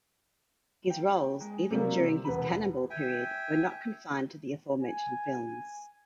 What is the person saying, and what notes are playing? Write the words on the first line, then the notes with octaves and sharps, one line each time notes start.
His roles, even during his Cannonball period, were not confined to the aforementioned films.
G5
G#3
C3 F#3 G3 A#3
C3
E1 B4 B5
E5 G5 G#5
G#5